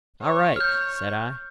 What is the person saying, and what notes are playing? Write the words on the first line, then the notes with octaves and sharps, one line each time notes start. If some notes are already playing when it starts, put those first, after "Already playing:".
"All right," said I.
C#5
F6 G6